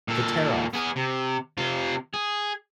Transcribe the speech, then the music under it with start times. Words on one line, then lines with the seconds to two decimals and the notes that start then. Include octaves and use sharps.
The Tear Off!
0.08 A#2 A4
0.73 B3 G#4
0.96 C3
1.58 C3 F4
2.14 G#4